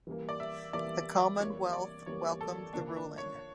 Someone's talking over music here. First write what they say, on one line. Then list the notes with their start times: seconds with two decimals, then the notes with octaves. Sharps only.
The Commonwealth welcomed the ruling.
0.07 E3 G3 A#3
0.29 D5
0.40 E5
0.73 E3 G3 A#3 D5
1.40 E3 G3 A#3 C#5
1.73 D5
2.06 E3 G3 A#3 C#5
2.41 A4
2.73 D3 F3 A#3 D4
2.96 D4
3.18 C#5